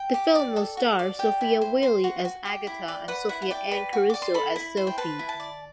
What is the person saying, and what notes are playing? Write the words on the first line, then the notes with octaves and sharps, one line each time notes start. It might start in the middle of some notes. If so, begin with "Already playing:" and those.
The film will star Sofia Wylie as Agatha and Sophia Anne Caruso as Sophie.
Already playing: G5
G4
D5
A4
F#4
D5
G4 G5
E4
C5
C5
F#4
F#4
G4
E4
D5
B4 F#5
E4 F#5
F#5
D5 G5
B4
F#4
D5 D6
C6
A4 B5
E4
C5
G5
B4 A5
E4
A5
D5